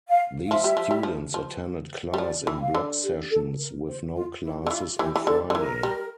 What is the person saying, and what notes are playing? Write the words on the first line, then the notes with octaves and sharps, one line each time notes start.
These students attended class in block sessions with no classes on Friday.
F5
F5
F3 E5
G3
F3
G3
F3
F3
G3 E5
F3 D5
E3
G5
F5
D3
G4
A4
A#4
C5
F4
E4
G4
D3
E3 F4
F4
E3 G4
E3
G4
D3 A4
D3
E3 A#4
G3